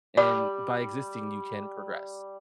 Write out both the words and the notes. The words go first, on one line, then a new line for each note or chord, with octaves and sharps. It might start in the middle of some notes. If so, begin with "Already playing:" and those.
and by existing, you can progress.
G3 D5